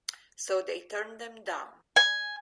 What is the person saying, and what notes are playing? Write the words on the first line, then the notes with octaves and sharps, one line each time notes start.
So they turned them down.
G#5